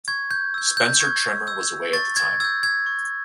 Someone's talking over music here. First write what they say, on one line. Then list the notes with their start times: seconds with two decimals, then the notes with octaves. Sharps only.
Spencer Trimmer was away at the time.
0.08 C#6 G#6
0.31 G6
0.54 E6 G6
0.77 G6
1.00 C#6 G#6
1.47 E6 G6
1.93 C#6 A6
2.17 G#6
2.40 E6 G6 G#6
2.63 G#6
2.86 C#6